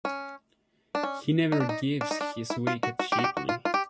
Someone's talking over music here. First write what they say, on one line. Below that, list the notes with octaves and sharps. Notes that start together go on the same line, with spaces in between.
He never gives his wicket cheaply.
C#4
D4
C#4
D#4
D4
D#4
D4
D#4
D4
E4
F4
F#4
F#4
G4
F#4
G4
F#4
F4
F4
G4